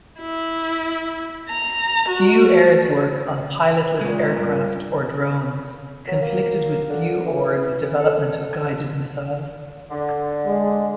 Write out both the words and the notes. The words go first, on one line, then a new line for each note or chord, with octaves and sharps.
BuAer's work on "pilotless aircraft," or drones, conflicted with BuOrd's development of guided missiles.
E4
A#5
F#4
A#2 C#3 G#3
G2
F#3
A#3
D3
E3
A4
D3
G#3